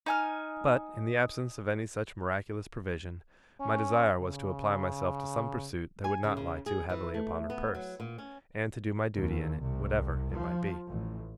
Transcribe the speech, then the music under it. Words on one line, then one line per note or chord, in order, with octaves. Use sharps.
But, in the absence of any such miraculous provision, my desire was to apply myself to some pursuit that would not lie too heavily upon her purse; and to do my duty in it, whatever it might be.
D#4 G#5 F6
C#4
C#3
G#5
C#3
C#3
G#4
E3
A3
B3
F#3
A#2
C#4
D#2
C2
F3
A1